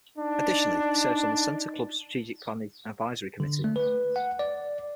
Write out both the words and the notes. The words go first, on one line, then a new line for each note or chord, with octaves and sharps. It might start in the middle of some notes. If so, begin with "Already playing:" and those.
Additionally, he serves on The Center Club Strategic Planning Advisory Committee.
D4 D#4
D3
A3
B4
F#5
D5